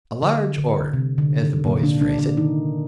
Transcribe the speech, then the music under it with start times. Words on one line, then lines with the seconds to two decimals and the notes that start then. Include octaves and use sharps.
A large order, as the boys phrase it!
0.22 D3
0.58 D3
0.93 C3
1.18 D3
1.41 D#3
1.65 A#2 A#3
1.83 D3 D4
2.01 D3 D4
2.19 D3 D4
2.37 D#3 D#4